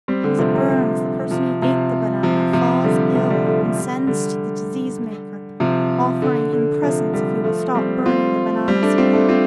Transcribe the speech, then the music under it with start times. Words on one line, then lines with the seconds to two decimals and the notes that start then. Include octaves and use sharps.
As it burns, the person who ate the banana falls ill and sends to the disease-maker, offering him presents if he will stop burning the banana skin.
0.08 G3 C4
0.24 D3 G3
0.39 C3 F3
0.55 C3
0.70 C3
1.31 C3 F3
1.62 C3 F3
2.23 C3 F3
2.53 C3 F3
2.84 D3 G3
3.15 C3 F3
3.30 D3 G3
3.46 F3 A3
3.61 D3 G3
3.76 D3 G3
4.07 D3 G3
5.60 C3 F3
6.22 D3
6.53 D3
6.83 C3 F3
7.13 D3 G3
7.44 F3 A3
7.75 G3 C4
8.06 C4 F4
8.68 G3 C4
8.82 A3 D4
8.98 C4 F4
9.13 A3 D4
9.29 C4 F4